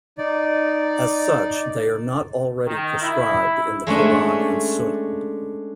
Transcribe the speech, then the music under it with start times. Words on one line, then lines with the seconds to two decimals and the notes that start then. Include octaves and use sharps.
As such, they are not already prescribed in the Koran and Sunna.
0.18 D#4 D5
2.67 D#3
3.02 E4
3.87 G#3 A3 C#4 D4